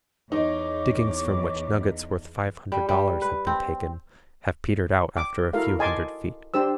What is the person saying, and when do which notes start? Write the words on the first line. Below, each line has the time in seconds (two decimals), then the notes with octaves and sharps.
Diggings from which nuggets worth five hundred dollars have been taken have petered out after a few hundred feet.
0.32 E2 D#4 C#5 D6
2.72 G3
2.89 G3
3.22 B4
3.47 C4
5.17 D6
5.53 E4 F#4 A4 A#4 F5
5.79 D#5 G#5 A5 C6 D6
6.54 D4 G4 C5 E6